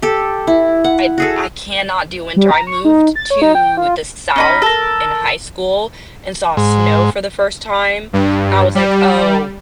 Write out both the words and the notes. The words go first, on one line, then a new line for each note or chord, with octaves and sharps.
I I cannot do winter, I moved to the South in high school and saw snow for the first time, and I was like, "Oh,
G4 A4
E4
F#5
F#4 G#4 A4
G3
A#5
C#6
D#4
A6
C#5
D#4
G5
F4
C#4 D#4 B5
A4 A#4
G#2
G2
G3